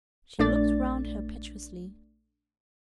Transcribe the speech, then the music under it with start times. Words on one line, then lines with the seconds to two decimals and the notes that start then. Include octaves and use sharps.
She looked round her piteously.
0.39 A#1 A3 D4 D5 A6